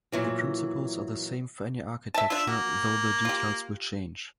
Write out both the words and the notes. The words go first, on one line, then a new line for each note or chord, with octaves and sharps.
The principles are the same for any architecture, though the details will change.
A#2 E3 F#3
E5 A5
D4 F4 E5 E6
A#3 F#4
F4 G4